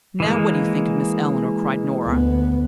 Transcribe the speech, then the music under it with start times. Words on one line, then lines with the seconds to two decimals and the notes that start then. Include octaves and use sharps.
"Now, what do you think of Miss Eleanor?" cried Nora.
0.20 E3 G#3 A#3
2.04 D2 B3